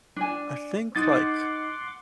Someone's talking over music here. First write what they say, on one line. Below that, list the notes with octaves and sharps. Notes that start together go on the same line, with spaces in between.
I think, like,
D4 G#5
D#4 F#5 C6 D6 A6